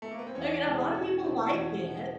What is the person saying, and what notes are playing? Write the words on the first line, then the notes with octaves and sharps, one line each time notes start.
I mean, a lotta people like it.
A3
A#3
B3
C4
E2 C#4
B2 G#3 B3
E2 C#4
B2 G#3 B3 C4
E2 C#4
B2 G#3 B3